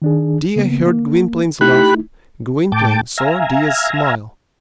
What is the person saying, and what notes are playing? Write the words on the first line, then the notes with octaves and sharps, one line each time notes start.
Dea heard Gwynplaine's laugh; Gwynplaine saw Dea's smile.
D#3 D4 G#4
C#3 A#3 B3
A#3
A3 D#4 E4 G4 B5 F#6
A2 G5 A5 D6
E5 F5 G#5 A#5